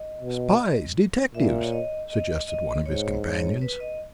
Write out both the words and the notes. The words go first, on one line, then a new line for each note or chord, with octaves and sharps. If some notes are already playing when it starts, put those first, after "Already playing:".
"Spies--detectives!" suggested one of his companions.
Already playing: D#5
B2
A#2 E5
C#5
D#5
D#5
D#5
G#2 C#5
C#5
B4
D#5